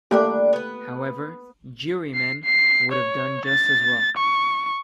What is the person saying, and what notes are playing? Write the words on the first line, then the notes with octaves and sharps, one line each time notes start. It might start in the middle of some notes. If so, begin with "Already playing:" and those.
However, ‘jurymen’ would have done just as well.
G3 A3 A#3 D4 G4 D5
B3 B4
C7
C7
C#5
A6
C#6